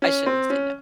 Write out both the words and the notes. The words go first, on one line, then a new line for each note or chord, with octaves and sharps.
I shouldn't say no.
C#4
C4
C#4